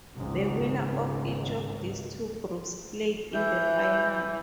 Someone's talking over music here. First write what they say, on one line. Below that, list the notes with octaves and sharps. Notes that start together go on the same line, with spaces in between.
The winner of each of these two groups played in the final.
G#1 C#2 G#2
E3 E5 G6